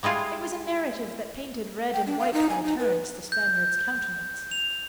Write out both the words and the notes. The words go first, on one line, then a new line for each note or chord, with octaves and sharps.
It was a narrative that painted red and white by turns the Spaniard's countenance.
G3 G#3 E4 F4 G#4
G5
D4
F5
D#4
G#5
D#4
B4
G6
F7